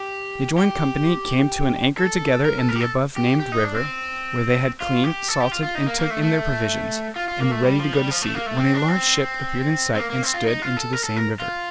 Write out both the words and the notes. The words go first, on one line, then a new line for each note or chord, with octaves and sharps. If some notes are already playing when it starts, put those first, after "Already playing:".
They joined company, came to an anchor together in the above named river, where they had cleaned, salted and took in their provisions, and were ready to go to sea, when a large ship appeared in sight, and stood into the same river.
Already playing: G4
G4
A4
A#4
A4
A#4
G4
A4
G4
G4
D#4
D4
C4
F4
G4
A4
G4
F4
F4
D#4
A#3
A#3
A3
A3
F4
F4
A#3
A3
G3
F3
G3
F3
A3
A#3
A3
C4
D4
C4
C4
A#3
A#3
C4
F4
D#4
F4
A4
A#4
A4
A#4
F4